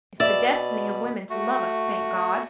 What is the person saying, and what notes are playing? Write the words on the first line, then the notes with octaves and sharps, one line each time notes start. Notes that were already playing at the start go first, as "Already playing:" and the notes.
It's the destiny of women to love us, thank God.
B2 D5 E5
A3 F#4